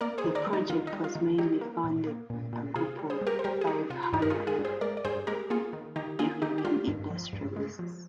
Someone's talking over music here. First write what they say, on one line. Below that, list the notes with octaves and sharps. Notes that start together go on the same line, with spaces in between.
The project was mainly funded by a group of five hundred Iranian industrialists.
A#3 A#4 D5
G#4 C5
D#3
A#4 D5
G3
D#4
D#3 F4
D#4
G3
F4
D#3
G3 D#4 G4
A#3
A#2
A#3
A#2
A#2
C3 F4 G#4
G3
G#4 C5
G3
G4 A#4
C5
G3 G4 A#4
G#4
G3 D#4 G4
C3 F4
F4
G2 D#4 G4
A#4
F4 G#4
G#3
F4 G#4
G2
G#4 C5
G#3 A#4 D5
D5
G2 G#4 C5
G#3 G4 A#4
A#3 F4 G#4
D#3
D#3 D#4 G4
A#3 F4 G#4
D#3 D#4 G4
G4
G3 F4
G2
F3
G2
G#3
F3